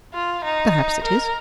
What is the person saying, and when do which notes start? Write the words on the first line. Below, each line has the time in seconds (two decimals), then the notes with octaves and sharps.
'Perhaps it is.
0.14 F4
0.44 D#4
1.04 A#4